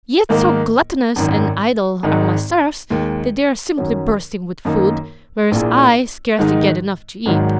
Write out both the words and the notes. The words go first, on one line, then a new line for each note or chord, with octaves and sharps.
Yet so gluttonous and idle are my serfs that they are simply bursting with food, whereas I scarcely get enough to eat.
G#2 D#3 A#3 D#4 A#4
G#1 F#2 D#3
G#1 G#2 D#3 G#3 D#4
D#2 D#3 G#3
F#2 D#3 F#3 C#4
F#2 D#3 A#3 D#4
A#1 A#2 A#3 E4 G#4
G#2 D#3 G#3 D#4
G#1 G#2 D#3 F#3